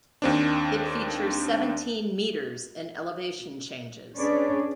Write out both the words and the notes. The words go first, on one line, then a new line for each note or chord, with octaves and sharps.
It features seventeen metres in elevation changes.
D#2 C4 D4
C#4 D4 G#4 B4 C#5 D5